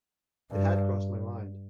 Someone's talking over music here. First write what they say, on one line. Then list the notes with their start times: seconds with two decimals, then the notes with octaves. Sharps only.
It had crossed my mind.
0.52 G2